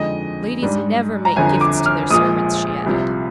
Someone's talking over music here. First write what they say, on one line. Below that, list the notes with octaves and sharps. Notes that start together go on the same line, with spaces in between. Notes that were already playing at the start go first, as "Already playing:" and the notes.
"Ladies never make gifts to their servants," she added.
Already playing: F2 D3 G#3 D#4 D#5
G#2 G3 D4
A#5
G1 F2 D3 G#5
D6
F6
A#1 A#2 F3 G#3 D#6
C2 C3 F3